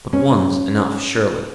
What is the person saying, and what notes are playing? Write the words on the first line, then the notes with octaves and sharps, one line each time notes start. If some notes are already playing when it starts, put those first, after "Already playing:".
But one's enough, surely.
C#4